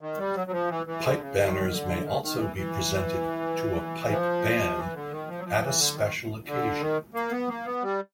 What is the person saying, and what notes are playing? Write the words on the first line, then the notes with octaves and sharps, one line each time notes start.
Pipe banners may also be presented to a pipe band at a special occasion.
D#3
G3
F#3
F#3
F3
E3
E3
D3
C#3
D#3
D3
D#3
D#3
E3
E3
F3
E3
D3
D#3
F3
F#3
F3
E3
D3
D#3
D3
D#3
A#3
B3
A#3
B3
G3